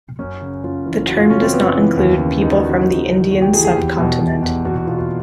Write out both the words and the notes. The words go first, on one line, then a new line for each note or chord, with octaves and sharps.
The term does not include people from the Indian subcontinent.
F#2 C#4
C#3
F#2 F4
E3
F#2 F#4
F4
C#3 C#4
C4
F#2 B3
E3
D#2
C#3
D#2 D#4
F#4
E3 F#4
D#2
C#3
D#2 F#4
G4
E3 G#4
G#4
E2 G4
B2
B2
E2
E2 F#4
F#4
B2 F4
F4